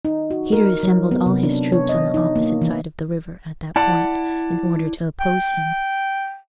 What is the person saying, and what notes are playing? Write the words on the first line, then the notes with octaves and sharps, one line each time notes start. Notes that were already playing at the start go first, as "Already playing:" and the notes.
Peter assembled all his troops on the opposite side of the river at that point in order to oppose him.
D#4
F#4
A#4
F#3
B3
C3
D4
C#5
D#5
D#4
A#3
E3
E4 D5 F#5 A5
G5